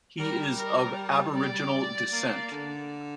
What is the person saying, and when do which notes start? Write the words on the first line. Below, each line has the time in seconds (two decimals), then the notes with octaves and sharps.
He is of Aboriginal descent.
0.19 G3 A#4
0.58 A#4
1.35 D5
2.12 A#3
2.51 D3